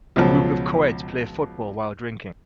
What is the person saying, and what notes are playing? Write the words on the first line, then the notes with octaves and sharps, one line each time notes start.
A group of coeds play football while drinking.
C#2 B2 F3 F#3